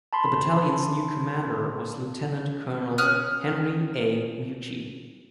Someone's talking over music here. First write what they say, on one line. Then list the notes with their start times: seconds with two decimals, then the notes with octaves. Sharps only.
The battalion's new commander was Lieutenant Colonel Henry A. Mucci.
0.13 A5 B5 C6
2.98 C#4 D#6 F6 F#6